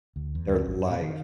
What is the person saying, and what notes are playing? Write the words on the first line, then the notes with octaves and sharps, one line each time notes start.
their life,
D2
E2
D2
G#1
F#2
A#2
D#3